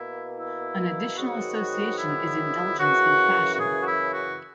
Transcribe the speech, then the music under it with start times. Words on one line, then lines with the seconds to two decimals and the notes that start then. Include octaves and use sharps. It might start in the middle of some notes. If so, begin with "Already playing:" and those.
An additional association is indulgence in fashion.
Already playing: B2 A#3 E4
0.37 E4
1.17 G#2 D#3 F#3 B3 F#4
1.98 E4
2.79 F#2 C#3 E3 F#4
3.55 F#4
3.60 G#4
3.82 F#4
3.87 E4
4.14 F#4